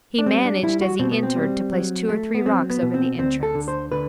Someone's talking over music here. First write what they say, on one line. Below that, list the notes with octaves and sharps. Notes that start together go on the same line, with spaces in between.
He managed as he entered to place two or three rocks over the entrance.
D4
G3 C4
D4
G3 E4
F#4
B2 C4
B3
C4
G3
F#3
A3
B3
F#3 C4
B3
B2
C4
D2 C4
A4
D3
C5
D3 B4